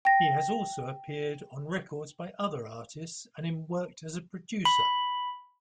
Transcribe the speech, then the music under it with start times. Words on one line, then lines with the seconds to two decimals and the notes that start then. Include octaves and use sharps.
He has also appeared on records by other artists and worked as a producer.
0.05 G5 A#6
4.65 B5